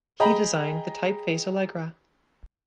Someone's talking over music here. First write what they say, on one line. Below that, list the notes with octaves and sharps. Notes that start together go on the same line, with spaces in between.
He designed the typeface Allegra.
G#4 D#5 G5 A#5 B5